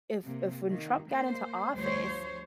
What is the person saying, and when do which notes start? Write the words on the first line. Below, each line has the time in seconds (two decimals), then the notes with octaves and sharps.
if if when Trump got into office,
0.24 C3 A#3
0.69 D#3 A#3
1.08 A#3 C5
1.75 D2 F3 G3 C5 C#5